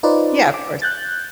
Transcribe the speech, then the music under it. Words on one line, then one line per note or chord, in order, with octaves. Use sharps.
Yeah, of course.
D#4 F4 B4 C5 D5
D6
F#6 G6 A6